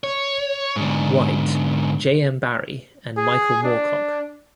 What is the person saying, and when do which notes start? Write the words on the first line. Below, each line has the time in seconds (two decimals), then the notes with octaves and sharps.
White, J. M. Barrie, and Michael Moorcock.
0.04 C#5
0.76 G#2 D3
3.17 G#4
3.64 D4